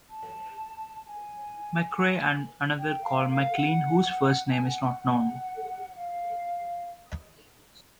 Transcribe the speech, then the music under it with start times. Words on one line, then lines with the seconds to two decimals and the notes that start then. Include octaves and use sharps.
McRae, and another called MacLean, whose first name is not known.
0.10 A5
1.07 G#5
2.79 G5
3.02 F5
3.27 F5
3.52 F#5
4.50 G#5
4.65 F#5
4.82 F#5
4.99 F#5
5.96 F5